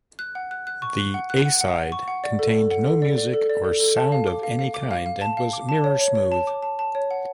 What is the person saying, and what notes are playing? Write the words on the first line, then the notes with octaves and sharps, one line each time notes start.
The A side contained no music or sound of any kind and was mirror-smooth.
F#6
F#5
F#6
F#6
C#6
F#6
F#5
F#6
F#5
F#5
F#5
C#6
F#5
D5
A4
A4
F#5
A4
D5
D5
A4
D5
A4
A4
A5
F5
D6
F5
F5
D6
F5
F5
A5
F5
D6
A5
C#5
C#5
C#5
A5
D6
A5
A5
C#5
F#5